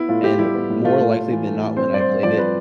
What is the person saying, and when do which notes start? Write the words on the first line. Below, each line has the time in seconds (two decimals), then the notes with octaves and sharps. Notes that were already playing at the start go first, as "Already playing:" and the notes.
and more likely than not when I played it,
Already playing: B3 E4
0.09 A2 F4
0.24 A2 G4
0.39 G3 E4
0.55 B3
0.70 A2
0.85 A3 F4
1.01 A2
1.16 A2
1.31 E3
1.46 A3
1.62 A2
1.77 C4 C5
1.92 G2 D5
2.00 C5
2.08 G2
2.23 F3 D5
2.38 C4 B4